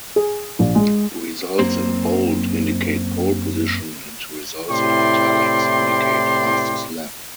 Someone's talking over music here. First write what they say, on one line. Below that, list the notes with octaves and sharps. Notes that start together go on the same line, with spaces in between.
Results in bold indicate pole position, and results in "italics" indicate fastest lap.
G#4
A#1
G#3
F#2 A#3 C4 C5
A2 C3 E4 D5 G5 C6